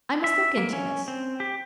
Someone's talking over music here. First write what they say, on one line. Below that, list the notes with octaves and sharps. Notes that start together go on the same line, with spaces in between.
I must look into this.
E5
A#3
C#4
C4
G4